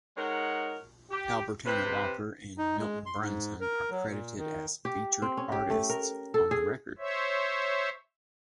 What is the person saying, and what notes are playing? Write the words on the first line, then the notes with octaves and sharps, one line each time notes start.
Albertina Walker and Milton Brunson are credited as featured artists on the record.
G#3 D#4 A#4 C#5 F#5
G4
C3 B4 C5
D#4
G#3
C6
G#2
A#4
F#3
A#2
D#3
G4
C4
C#4
G4
A3
A#4
A4
G#4
C5 C#5 E5